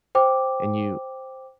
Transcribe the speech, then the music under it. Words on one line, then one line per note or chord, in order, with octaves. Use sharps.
and you
C5 G5 D6